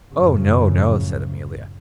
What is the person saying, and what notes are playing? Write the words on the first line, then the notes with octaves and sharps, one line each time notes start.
'Oh no! no!' said Amelia.
F#2 A2 C#3 F3